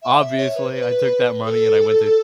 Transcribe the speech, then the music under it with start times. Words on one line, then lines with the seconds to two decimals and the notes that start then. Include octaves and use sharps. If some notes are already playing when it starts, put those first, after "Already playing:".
obviously, I took that money and I went to
0.02 E5
0.20 E5
0.37 C#5
0.55 B4
0.74 B4
1.45 A4